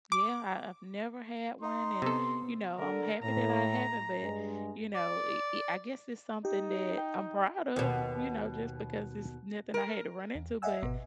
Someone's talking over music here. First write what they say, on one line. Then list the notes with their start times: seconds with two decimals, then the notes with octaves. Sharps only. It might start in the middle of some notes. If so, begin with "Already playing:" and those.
Yeah, I I've never had one and, you know, I'm happy that I haven't, but, you know, i i I guess it's something that I'm proud of, you know, just because it's nothing I had to run into, but
0.12 D6
1.62 D#4 C6
2.02 C3 B3 A4
2.79 D3 A#4
3.23 A2 A#5
4.23 G2 G#3
4.94 D5
6.45 D#4 G4
6.98 G5
7.76 D#2 B2
9.74 A#4
10.35 E2
10.62 D#5 E5 F#5 G#5 E6
10.82 G#1 B2 B3